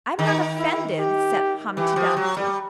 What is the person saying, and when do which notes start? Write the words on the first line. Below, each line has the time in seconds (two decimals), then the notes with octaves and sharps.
'I'm not offended,' said Humpty Dumpty.
0.18 D#3 D#4
0.59 E4
0.98 G4
1.77 E3 G4
1.96 F3
2.17 F#3
2.37 G3